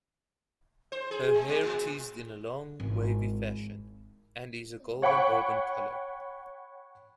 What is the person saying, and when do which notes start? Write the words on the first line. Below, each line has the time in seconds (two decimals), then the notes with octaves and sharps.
Her hair teased in a long wavy fashion, and is a golden-auburn color.
0.92 C5
1.11 G#4
1.34 G#3
1.48 B2
1.63 A2
2.80 G#1 E3
5.02 C#5 F#5 G5 B5 C#6